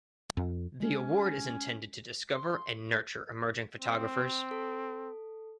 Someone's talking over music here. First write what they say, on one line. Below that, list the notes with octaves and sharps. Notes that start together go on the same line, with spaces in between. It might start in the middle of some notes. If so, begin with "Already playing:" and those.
The award is intended to discover and nurture emerging photographers.
F2
G#3 C#4
C6
C4
A4